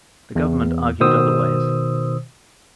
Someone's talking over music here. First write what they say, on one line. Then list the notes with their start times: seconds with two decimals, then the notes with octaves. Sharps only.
The Government argued otherwise.
0.35 E2
1.00 B2 D#3 C5 D#6 E6